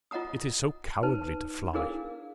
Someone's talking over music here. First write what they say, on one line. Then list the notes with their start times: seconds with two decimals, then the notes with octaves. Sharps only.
"It is so cowardly to fly!"
0.11 F4 D#5 F#5 A#5 D#6
1.03 D#4 B4 A5
1.73 D4 E4 G#4 A#4 F5